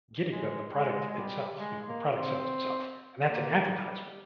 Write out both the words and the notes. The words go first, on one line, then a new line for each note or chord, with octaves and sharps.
getting the the product itself, you know, the product sells itself, and that's an advertisement,
G#3
G#3
G#3
G3
G#3
A#3
C4
A#3
G3